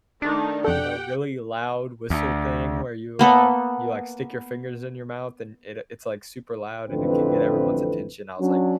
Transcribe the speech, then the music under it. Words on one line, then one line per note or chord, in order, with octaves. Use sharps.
you know, really loud whistle thing where you, uh, you, like, stick your fingers in your mouth and it, uh, it's, like, super loud and it can get everyone's attention, I was, like
D#3 A3 D4 D#4
F2 G4 A4 F#5 G5
D2
A#3 B3 A4
A1 F2 D3 E3 C4 B4
F#3 C#4 D4